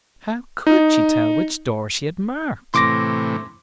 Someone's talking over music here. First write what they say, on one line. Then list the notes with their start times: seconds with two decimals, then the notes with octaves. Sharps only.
How could she tell which door she had marked?
0.67 D#4
2.74 A2 C3 E3 C6 D6 A#6